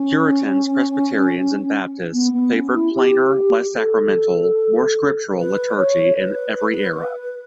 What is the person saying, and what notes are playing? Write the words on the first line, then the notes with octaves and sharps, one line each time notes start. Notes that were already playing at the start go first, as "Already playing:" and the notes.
Puritans, Presbyterians and Baptists favoured plainer, less sacramental, more scriptural liturgy in every era.
Already playing: C#4
B3
B3
C#4
E4
G4
A4
B4
C#5
B4